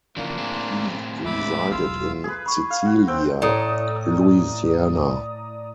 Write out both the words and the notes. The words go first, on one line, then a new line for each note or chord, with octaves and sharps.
He resided in Cecilia, Louisiana.
C#3 E3 F3 A#3 D4 E4
A2 C4 G#4
G#3 E5 B5 D6
E1 B1 F4 F5 E6
G#4 B4
B5 C#6
F5
F#4
C4 G5
A2 D5 A#5 D#6